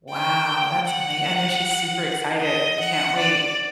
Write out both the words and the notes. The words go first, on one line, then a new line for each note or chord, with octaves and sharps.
Wow, that's ama I know she's super excited and can't wait.
G5
F#5
D#5
F#5
D5